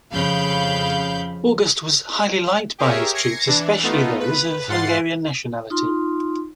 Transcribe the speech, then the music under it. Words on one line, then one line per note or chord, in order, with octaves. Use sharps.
August was highly liked by his troops, especially those of Hungarian nationality.
F2 C#3 F5 B5 G6
G4 G#4 A#4 C#5 E5
G#6 A#6 C7 C#7
E3 D4
A3 B3 D#4 F4
B4
G#2 F4 F#5 C6 A6 C7
D#4 F4 C6